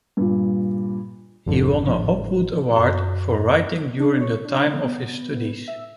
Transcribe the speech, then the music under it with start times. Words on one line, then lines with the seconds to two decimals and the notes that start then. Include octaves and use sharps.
He won a Hopwood Award for writing during the time of his studies.
0.17 G2 A#2
1.46 G#1 F2 D3
1.85 A2 F3
2.76 F#2
4.00 D4
4.21 C#5
4.45 D4
4.67 D3
4.84 B3
5.68 E5